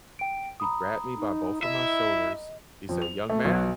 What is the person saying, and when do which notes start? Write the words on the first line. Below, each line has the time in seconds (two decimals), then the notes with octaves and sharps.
he grabbed me by both of my shoulders, he said, "Young man."
0.19 G5 D7
0.60 A#5 B5 D#6
1.18 D#4
1.63 E4 D#5 E5
2.89 F2
3.02 F7
3.30 A3
3.45 B1